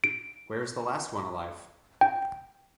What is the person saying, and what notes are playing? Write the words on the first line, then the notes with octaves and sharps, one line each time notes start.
Where’s the last one alive?
D7
G5